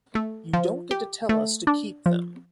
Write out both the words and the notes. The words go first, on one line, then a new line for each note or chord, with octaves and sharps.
You don’t get to tell us to keep them.
A3
F3
G4
A3
D4
F3